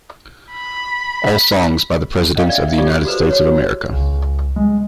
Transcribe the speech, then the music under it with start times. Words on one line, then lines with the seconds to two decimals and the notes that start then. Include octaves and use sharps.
All songs by The Presidents of the United States of America.
0.53 B5
2.36 C#4 D#5 F5 G5
2.49 D5 E5
2.78 F4 G4 A4 D5
3.05 F#4 A4 B4 C5
3.29 F#4 C#5
3.92 C#2
4.56 G#3